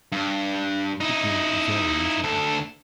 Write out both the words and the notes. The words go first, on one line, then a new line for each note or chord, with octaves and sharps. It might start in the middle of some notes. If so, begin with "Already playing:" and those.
She grew very miserable.
G2
D#4 E4
D2 A4